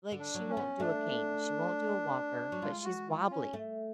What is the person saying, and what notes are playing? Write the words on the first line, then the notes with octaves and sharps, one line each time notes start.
like, she won't do a cane. She won't do a walker, but she's wobbly.
D3
D4
F#3
C#4
B3
A3 D4
F#3
G#3 F4
F#4
F4
C#4
A3